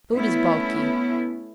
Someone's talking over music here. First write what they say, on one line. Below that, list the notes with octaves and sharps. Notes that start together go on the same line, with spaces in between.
Food is bulky.
A3 B3 C#4 E4